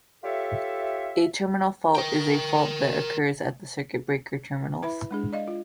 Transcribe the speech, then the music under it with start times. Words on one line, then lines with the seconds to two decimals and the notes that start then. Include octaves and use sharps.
A terminal fault is a fault that occurs at the circuit breaker terminals.
0.24 F4 G4 A4 C#5 E5
1.95 A#4 G5
4.82 E4 B4 E5 B5
5.11 G#3 D4 G#4
5.33 D5 D#5 F5
5.48 F4